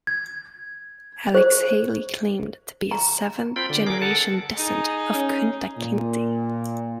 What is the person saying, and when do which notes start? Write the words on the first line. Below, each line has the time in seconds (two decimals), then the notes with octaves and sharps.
Alex Haley claimed to be a seventh-generation descendant of Kunta Kinte.
0.07 G#6
1.35 C5
2.91 A#5
3.56 C4 F4 G5 B5
3.70 D3
3.87 G#4 A#4 D6
4.02 A4 F#5 A5
4.57 D#4 G#4
5.13 C#4
5.77 A#2